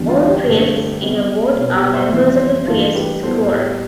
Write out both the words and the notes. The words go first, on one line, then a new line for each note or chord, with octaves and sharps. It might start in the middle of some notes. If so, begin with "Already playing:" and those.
All priests in a ward are members of a priests quourm.
Already playing: E2 D3 G3
F4
G4
G2 D3 A3
C3 G3 B3
B2 B3
G4 B4
C5 E5
F2 C3 E3 G3 B3
G2 E3 A3 F4 A4
G4 B4
A2 G3 B3 A4 C5
G4